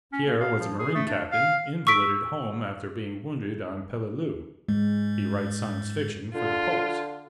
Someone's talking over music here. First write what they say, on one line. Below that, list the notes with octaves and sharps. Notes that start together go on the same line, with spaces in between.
Pierre was a Marine captain, invalided home after being wounded on Peleliu; he writes science-fiction for the pulps.
C#4
A#3
F5
F3
G#4
A3
D4
F5
C#6 E6 B6 D7
G#2 G#3
D3 F4